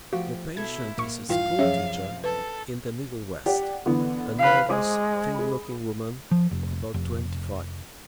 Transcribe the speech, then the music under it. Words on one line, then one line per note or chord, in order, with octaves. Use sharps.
The patient is a school-teacher in the Middle West, a nervous, thin-looking woman of about twenty-five.
F3 A3 F#4 G4 F5
B2 E4 A4 G#6
A#1 A#3 C#6
A#1 G2 E3 F4 F5 G5
F#2 C3 F3 C#4 G#4 C#5 E5
A4 B4
G4 D5 F#5
D3 E3 B3
B4 F5
G#3 C5 D6 D#6
G#4 B5
F3
F1
F1